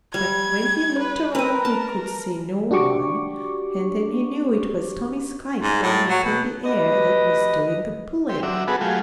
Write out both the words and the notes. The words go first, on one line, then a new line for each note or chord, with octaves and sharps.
But when he looked around he could see no one, and then he knew it was Tommie's kite, flying up in the air, that was doing the pulling.
G3 G#6
B4
A#4 B4 D#5
A5
D4 F#4 G4 C#6 D6
G#2
A2
F#3
B2
D2 G4 B4 D#5
C4 G4
F#3 D4 E5
B3 F#4 G#4 A4 B4
F#3 A3 F4 G4 G#4